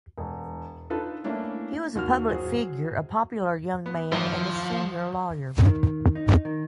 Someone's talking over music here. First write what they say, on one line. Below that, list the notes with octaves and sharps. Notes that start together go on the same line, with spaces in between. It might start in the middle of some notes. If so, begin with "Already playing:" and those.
He was a public figure, a popular young man, and a senior lawyer.
E1
D4 D#4 F4 A4 B4
A3 A#3 C#4 D4 E4
D#2 F#4 F6
F#3 F#4 G#4 C5
B3
G#1 F#2 A2 F3
D#3
D#4
D#3